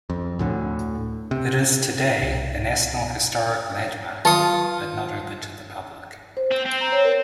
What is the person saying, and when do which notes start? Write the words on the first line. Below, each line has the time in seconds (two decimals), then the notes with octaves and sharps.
It is today a National Historic Landmark, but not open to the public.
0.10 F2
0.39 D2 A2 D3
1.31 C3
2.22 C2
4.25 D#3 F#3 F4 F5 A5 D#6
6.37 C5
6.51 C4
6.66 C4
6.81 A#5
6.92 C#5
7.05 A#4